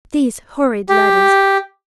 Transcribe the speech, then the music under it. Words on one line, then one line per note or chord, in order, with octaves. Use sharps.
These horrid ladders.
G4